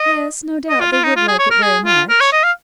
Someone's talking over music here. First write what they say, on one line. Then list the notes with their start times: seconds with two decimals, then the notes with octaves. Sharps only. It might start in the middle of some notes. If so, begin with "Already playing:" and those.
"Yes; no doubt they would like it very much."
Already playing: D#5
0.69 D#5
0.80 F4
0.92 F4
1.04 D#4
1.16 F4
1.28 G#4
1.39 C#5
1.50 A#4
1.62 G#4
1.85 F4
2.09 A#4
2.20 C#5
2.32 D#5
2.43 F5